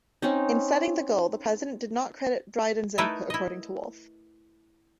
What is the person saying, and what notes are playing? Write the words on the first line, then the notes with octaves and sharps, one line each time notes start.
In setting the goal, the president did not credit Dryden's input, according to Wolfe.
C4 C#4 D#4
A3 D#4 E4 A#4 B4 A5
E4 D#5